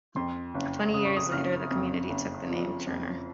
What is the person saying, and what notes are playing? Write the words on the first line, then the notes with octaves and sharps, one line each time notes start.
Twenty years later, the community took the name "Turner".
F2 C6
F#1
C#3 D#6
C#6
D#6
F#1 F6
F2
F#1
F3
F2